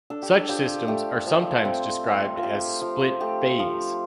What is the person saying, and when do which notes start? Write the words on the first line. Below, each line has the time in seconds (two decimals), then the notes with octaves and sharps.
Such systems are sometimes described as split-phase.
0.10 D4 A4
0.22 G4
0.34 A4
0.49 F3 G4
0.88 A3 G4
1.27 F3
1.65 C4
2.04 A3
2.37 F4
2.43 C4 G4
2.81 F3
3.20 A3 G4
3.59 F3